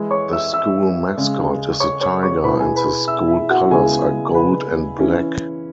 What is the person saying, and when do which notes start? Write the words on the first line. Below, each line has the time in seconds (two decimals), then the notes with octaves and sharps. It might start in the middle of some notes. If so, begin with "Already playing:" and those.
The school mascot is the Tiger and the school colors are gold and black.
Already playing: E3 G#3 E4
0.11 C#5 C#6
0.33 E5 E6
0.53 E5 E6
1.18 C#3 G#3 C#4
1.80 C#5 C#6
2.01 C#5 C#6
2.23 C#5 C#6
2.44 B2 B3 E4 B4 B5
2.60 G#4 G#5
2.76 B4 B5
3.07 E5 E6
3.28 E4 E5
3.50 F#4 F#5
3.70 C#3 G#3 B3 E4 G#4 G#5
4.35 B4 B5
4.98 E3 C#4 E4